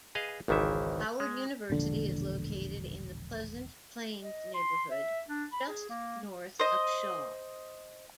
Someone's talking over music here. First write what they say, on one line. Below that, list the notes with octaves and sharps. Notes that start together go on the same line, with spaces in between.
Howard University is located in the Pleasant Plains neighborhood, just north of Shaw.
G#4 B4 D#5 F5
G#1 C#2 D#3 E3 E5
G#3
E1 A#1 D3
D#5
C6
E5
D4
B5
G#4
A#3
C5 D#5